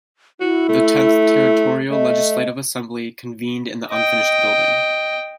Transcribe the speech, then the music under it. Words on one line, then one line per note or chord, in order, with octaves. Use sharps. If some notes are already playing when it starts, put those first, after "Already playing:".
The Tenth Territorial Legislative Assembly convened in the unfinished building.
E4 F#4
A3
A3 D#5
D#5 G5